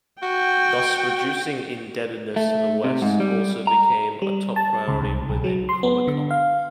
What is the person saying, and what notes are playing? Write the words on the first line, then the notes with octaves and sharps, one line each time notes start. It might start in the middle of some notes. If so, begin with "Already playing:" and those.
Thus, reducing indebtedness to the West also became a top priority within Comecon.
F#4 G5
A3
C3
G#2
G3
A#5
G3
A5
C#2
C2
B1
F#3
C6
B3
D3
F5